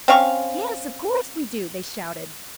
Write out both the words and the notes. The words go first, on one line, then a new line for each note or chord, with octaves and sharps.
"Yes, of course we do," they shouted.
C4 C#4 F5 C#6